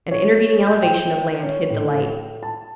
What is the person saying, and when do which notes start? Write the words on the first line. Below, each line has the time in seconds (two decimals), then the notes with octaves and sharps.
An intervening elevation of land hid the light.
0.11 C#5
0.67 G6
0.82 G5
1.43 C#4
1.70 A2
2.43 A5